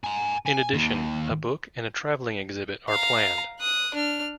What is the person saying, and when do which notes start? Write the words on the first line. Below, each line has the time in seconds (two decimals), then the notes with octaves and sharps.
In addition, a book and a travelling exhibit are planned.
0.04 G#5 A#5
0.46 G#5
0.74 D#2
2.89 F5 A#5
3.60 D#6 F#6
3.95 D4 F6